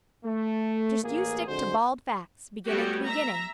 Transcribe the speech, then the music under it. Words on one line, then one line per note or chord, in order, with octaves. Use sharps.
Just you stick to bald facts. Begin at the beginning.
A3
A1 A#3 G#4
F2 D3 G#3 F#4 C5
G3 A3 B3 C#4 F#4 G4
E5 A#5